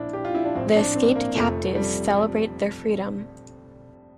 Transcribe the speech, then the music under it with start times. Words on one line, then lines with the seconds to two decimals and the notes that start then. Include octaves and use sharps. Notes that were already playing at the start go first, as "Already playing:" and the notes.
The escaped captives celebrate their freedom.
Already playing: A#1 A#2 F3 D4 E4
0.13 G4
0.25 F4
0.35 E4
0.45 D4
0.55 A#1 A2 F3 C4
0.75 D4
0.95 C4
1.15 A#3
1.35 F1 F2 C3 F3 A3
1.75 G3